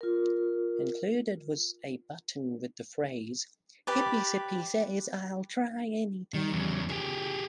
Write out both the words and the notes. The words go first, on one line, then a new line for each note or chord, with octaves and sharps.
Included was a button with the phrase Hippy Sippy says I'll try anything!
F4 A#4
G4 B4 D5
D#3
E2 C#3
G4 G#4